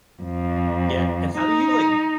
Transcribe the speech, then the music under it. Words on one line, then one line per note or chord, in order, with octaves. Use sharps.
Yeah, and how do you, like
F2
D#4